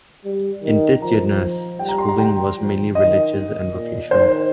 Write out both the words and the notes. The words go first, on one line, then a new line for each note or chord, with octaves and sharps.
Indigenous schooling was mainly religious and vocational.
G3
D#3
F3 A#5
G3 G5
A#5
C6
A#5
G5
F3
D#3 D#5
A#2
D#3 C5